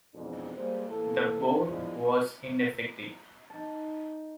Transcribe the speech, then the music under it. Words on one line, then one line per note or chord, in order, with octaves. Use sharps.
The Board was ineffective.
F2 G#2 B2 E3 C4 D4
G3 G#3 A#3 C5
A2 E3 A#3 E4 A4
F3 G#3 B3 D4 E4
D#4 A5